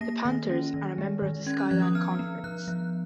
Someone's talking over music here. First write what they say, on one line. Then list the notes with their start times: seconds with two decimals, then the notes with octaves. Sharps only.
The Panthers are a member of the Skyline Conference.
0.01 A#3 A#6
0.25 D#3 A#6
0.49 C#4
0.74 D#3
0.98 G#3
1.22 D#3
1.46 C#4 G#6
1.59 F#6
1.71 F3 G#6
1.82 D#6
1.95 B3 F6
2.19 B3
2.44 F3 F#6
2.68 F3